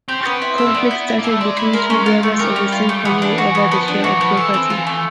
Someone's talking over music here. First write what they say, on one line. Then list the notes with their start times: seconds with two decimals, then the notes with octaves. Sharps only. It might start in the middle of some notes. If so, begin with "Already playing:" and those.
Conflict started between two brothers of the same family over the share of property.
0.08 C4 G4
0.21 B3 C#4
0.33 C4
0.42 E4
0.58 A4
0.67 A#3
0.74 B3 D5
0.91 E4
1.08 E4
1.19 A#3
1.24 A4
1.30 A3
1.41 G#3 D5
1.57 E4
1.73 A#4
1.90 C#4
2.06 F4
2.23 A3
2.39 G3 A#4
2.56 C#4
2.72 F4
2.89 A3
3.05 E3 B3
3.22 D4
3.38 F#4
3.55 B3
3.71 F3 B3
3.88 D4
4.04 E3 F#4
4.20 F3 B3
4.37 E3 A4
4.54 C4
4.70 F4
4.87 A3